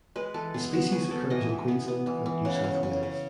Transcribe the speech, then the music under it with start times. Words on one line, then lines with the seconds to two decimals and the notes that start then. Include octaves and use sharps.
The species occurs in Queensland and New South Wales.
0.16 G#3 B4
0.34 E3 A4
0.54 B3 G#4
0.73 B3 F#4
0.92 B3 G#4
1.11 B3 A4
1.30 E3 D#5
1.49 E3
1.68 B3
1.88 B3
2.07 E3
2.26 E3
2.45 C#3 F#5
2.64 C#3
2.83 C#3
3.03 C#3